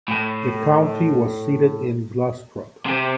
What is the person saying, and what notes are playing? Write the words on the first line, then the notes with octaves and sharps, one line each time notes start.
The county was seated in Glostrup.
A2
C3